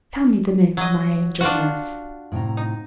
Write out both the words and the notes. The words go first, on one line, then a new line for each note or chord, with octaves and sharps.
"Tell me the name of my angel nurse."
F#3 D#5
D4 F4 F#4
A2 C3 A#5
D#4